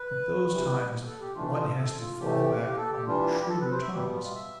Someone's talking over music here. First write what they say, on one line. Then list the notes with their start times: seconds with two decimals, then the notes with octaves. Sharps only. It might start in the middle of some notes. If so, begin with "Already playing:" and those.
At those times one has to fall back on shrewder tongues.
Already playing: B4
0.49 C3 E3 G3
1.07 A4
1.21 G4
1.35 E3 A3 D4 F4
1.46 F4
1.56 F4
1.67 A4
1.78 A4
2.00 F4
2.20 A2 E3 A3 G4
2.63 G4
2.78 A4
2.91 G4
3.07 E3 G3 D4 F4
3.21 F4
3.35 G4
3.49 A4
3.60 B4
3.71 C5
3.82 E5
3.92 B2 G3 B3 G4
4.13 F4
4.23 F4
4.35 E5